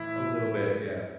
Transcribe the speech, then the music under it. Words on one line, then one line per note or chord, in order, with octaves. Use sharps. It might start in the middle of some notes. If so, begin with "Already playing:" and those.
A little bit, yeah.
Already playing: A2 E3 E4